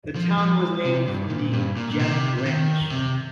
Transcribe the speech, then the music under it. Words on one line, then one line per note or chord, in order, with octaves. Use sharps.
The town was named from the Gem Ranch.
F3
F3
C3
G2
A#2
G2
A#2
A#2
C3
C3
D#3
C3